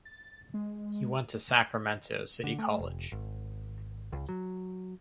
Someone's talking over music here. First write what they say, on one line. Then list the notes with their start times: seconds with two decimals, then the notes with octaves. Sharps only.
He went to Sacramento City College.
0.05 A6
0.54 G#3
2.44 D3
2.59 A3
2.79 F1
3.12 G#1
4.12 C#2
4.29 F#3